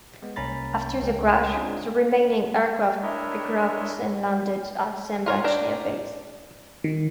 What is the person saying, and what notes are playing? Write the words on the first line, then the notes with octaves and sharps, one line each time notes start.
After the crash, the remaining aircraft regrouped and landed at Sembach Air Base.
G#3 B3
C2 A#3 C#4 A#5 B5 A6
C#2 G#3 C#4 G5
C4 D4 D#4 F4 G#4
D4 E4 A#4 C#5 D#5 E5
F4 A#4 C#5
D4 G5 A#5
D#3